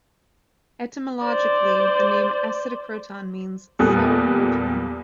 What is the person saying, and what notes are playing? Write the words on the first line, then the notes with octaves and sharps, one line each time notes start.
Etymologically, the name "Acidocroton" means "sour croton".
C5 D5
E2 A#2 G3 A4 D#6 F#6